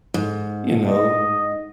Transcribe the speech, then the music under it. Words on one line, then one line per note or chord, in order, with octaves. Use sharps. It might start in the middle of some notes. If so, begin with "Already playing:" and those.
you know,
G#2
D#5